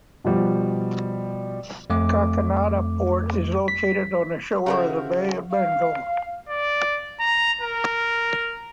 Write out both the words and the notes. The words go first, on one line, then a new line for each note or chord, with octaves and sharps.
Kakinada Port is located on the shore of Bay of Bengal.
B2 F3 G3
F2 A3 D6
B6
C#3 E4 F#4 G4 A4 A#4 C5 F5
F5
D5
A#5
A#4